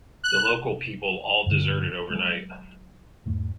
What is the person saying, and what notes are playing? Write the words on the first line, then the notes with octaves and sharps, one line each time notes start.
The local people all deserted overnight.
F#6
G2 B2 D3 G#3
F#3 G#3
E2 G#2 A3